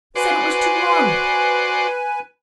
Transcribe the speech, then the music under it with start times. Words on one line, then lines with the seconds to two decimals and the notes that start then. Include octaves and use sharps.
Said it was too long!
0.15 F#4 B4 C5 D5 G#5